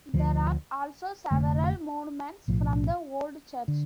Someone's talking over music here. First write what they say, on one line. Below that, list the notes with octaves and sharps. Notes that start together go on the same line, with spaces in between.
There are also several monuments from the old church.
D2 D3 F3
F1 F2 D3 A3
B1 A2 F3
D3